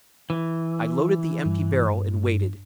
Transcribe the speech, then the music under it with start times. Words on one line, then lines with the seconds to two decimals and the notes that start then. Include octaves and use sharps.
I loaded the empty barrel and waited.
0.30 E3
1.45 G2